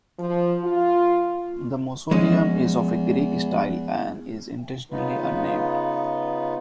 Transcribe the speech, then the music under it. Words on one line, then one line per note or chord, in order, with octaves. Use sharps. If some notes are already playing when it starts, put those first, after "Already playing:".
The mausoleum is of a Greek style and is intentionally unnamed.
F3
F4
E2 F3 G#3 C#4
C#3 B3 D#4 F4 B4